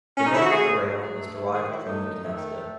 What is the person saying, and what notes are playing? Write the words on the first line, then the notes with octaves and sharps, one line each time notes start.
The name of the raion is derived from the Dniester.
C#4
D#4
E4
F#4
A3 G#4
F#3
A3
F#3 G#4
A3
A3
D#3 G#4
F#3 E4
A3 D#4
D#3
A3
D#3
A3